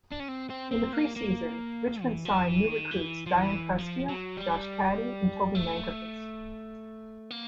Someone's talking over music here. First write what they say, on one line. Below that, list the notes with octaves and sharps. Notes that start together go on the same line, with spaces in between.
In the preseason Richmond signed new recruits Dion Prestia, Josh Caddy and Toby Nankervis.
D4
C#4
C4
C4
C4
A#3
A#3
E3
F3
E3
D#3
E3
F3
E3
F3
F#3
G3
A3
A#3